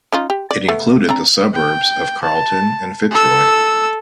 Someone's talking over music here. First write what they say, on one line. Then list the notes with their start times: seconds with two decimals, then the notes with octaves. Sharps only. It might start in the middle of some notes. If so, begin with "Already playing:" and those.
It included the suburbs of Carlton and Fitzroy.
0.12 C#4 D#4 F4
0.30 G4
0.51 D5
0.69 A3 B3
1.09 C4 D4 A#5
1.54 G5
2.23 A5
3.11 A4 E6